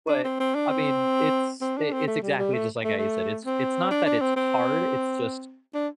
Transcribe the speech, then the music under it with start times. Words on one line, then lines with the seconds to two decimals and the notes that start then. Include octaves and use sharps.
But, I mean, it's i it's exactly just like how you said, it's it's not that it's hard, it's just
0.08 D4
0.24 C4
0.40 C4
0.55 D4
0.70 C4
1.61 C4
1.77 D4
1.92 C4
2.07 A3
2.22 G3
2.38 G3
2.53 A3
2.84 A3
2.98 A3
3.45 C4
3.91 D4
4.06 D4
4.21 C4
4.36 C4
5.74 D4